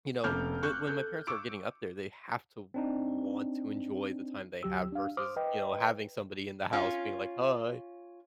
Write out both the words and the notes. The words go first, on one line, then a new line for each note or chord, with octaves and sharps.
you know, when when my parents are getting up there, they have to want to enjoy the time they have versus, you know, having somebody in the house being like, "Hi,
F1 A#3 C#4 D6 F6 G6
C#6 F#6 G6
A4 G6
C#6 D6 E6 D7
C4 D4 D#4
D2 F#3 G4 E6
D4 F5
C5 D6 D#6 F6
B4 D#5 G5
C#4 F4